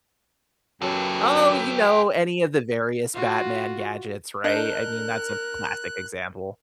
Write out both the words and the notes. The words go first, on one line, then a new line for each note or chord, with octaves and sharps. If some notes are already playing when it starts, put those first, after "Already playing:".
Oh, you know, any of the various Batman gadgets, right? I mean, that's a classic example.
F#2 F#3 G4 A4 B4 G5
F4 F#4
D4 A#4 D#5 F#6 G6